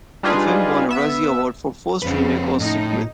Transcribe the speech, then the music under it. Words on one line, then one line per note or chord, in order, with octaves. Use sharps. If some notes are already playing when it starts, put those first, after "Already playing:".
The film won a Razzie Award for Worst Remake or Sequel.
G3 D4 D#4 F4 G#4 B4
B3 E5
F2 C#3 C4 B4
A2 D#4